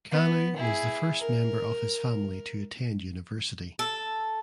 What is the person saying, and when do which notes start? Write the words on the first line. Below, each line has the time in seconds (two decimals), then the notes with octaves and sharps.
Kanu was the first member of his family to attend university.
0.12 B3
0.56 E4 G#4
1.20 A#4
3.79 A4